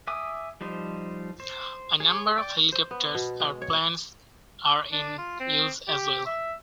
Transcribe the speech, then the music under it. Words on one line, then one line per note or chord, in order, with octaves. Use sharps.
A number of helicopters and planes are in use as well.
E5 G#5 D6 D#6
F3 G3 D#4 C5
C5
G#4 C#5
D5 G5 D6
C5
B3
B2
G#3
C#5
D4
F4
C4
G4
E5